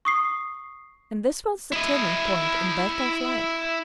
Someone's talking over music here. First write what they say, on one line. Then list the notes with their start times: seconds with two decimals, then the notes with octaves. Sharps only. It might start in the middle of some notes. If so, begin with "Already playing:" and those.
And this was the turning-point in Bertel's life.
0.05 C#6 D#6 C7
1.72 E4 D#5